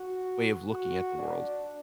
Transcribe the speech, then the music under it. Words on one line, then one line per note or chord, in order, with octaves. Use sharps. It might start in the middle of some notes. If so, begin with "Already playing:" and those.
way of looking at the world
Already playing: F#4
F#4
D4